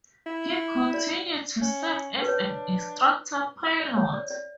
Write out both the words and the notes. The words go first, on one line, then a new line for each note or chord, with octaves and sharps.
He continued to serve as an instructor pilot.
E4
D5
C#4
B4
D4 C#5
E5
D5
C#5
D5
D5